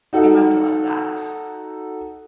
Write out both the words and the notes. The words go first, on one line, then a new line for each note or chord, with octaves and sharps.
You must love that.
D#4 F#4 A4